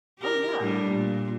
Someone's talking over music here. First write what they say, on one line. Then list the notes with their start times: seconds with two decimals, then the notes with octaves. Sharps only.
Oh, yeah.
0.18 G4 A#4
0.60 A2 G3 D4
0.91 A#2